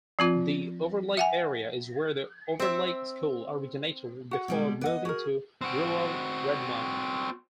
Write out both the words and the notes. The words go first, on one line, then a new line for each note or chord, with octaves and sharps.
The Overlake area is where The Overlake School originated before moving to rural Redmond.
F3 C4 F4
E5 F#5 G#5
C4 E5
F#4 F#5
B2 G3 G#3
B4 D5 D#5 F#5
F#4 G#4 A#4
C4 F#4